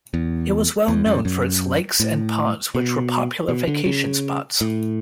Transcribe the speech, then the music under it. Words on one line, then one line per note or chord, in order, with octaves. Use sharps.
It was well known for its lakes and ponds, which were popular vacation spots.
E2
E2
F#2
F#2
A2
B2
B2
D3
C#3
A2